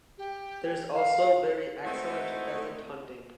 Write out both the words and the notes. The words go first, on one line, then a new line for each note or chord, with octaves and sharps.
There is also very excellent pheasant hunting.
G4
F5
G#3 A3 C4 D#4 E4 F#4